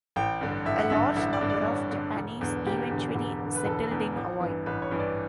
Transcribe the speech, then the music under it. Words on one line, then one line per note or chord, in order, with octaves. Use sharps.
A large number of Japanese eventually settled in Hawaii.
A1 G5
G2 D3
A1 E5
F#5
G2 D3 E5
A1 E5
D5
G2 D3
D5
A1 C#5
G2 D3
E1
E2 D3
E1 G4
E2 D3
E1
E2
D3
B4
E1 A4
E2 D3
A1
G2 E3
A1 B4
C#5
G2 E3
D5